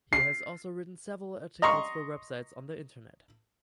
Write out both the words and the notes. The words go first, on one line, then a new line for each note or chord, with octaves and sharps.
He has also written several articles for websites on the Internet.
C7
D#5 A#5 C6 C#6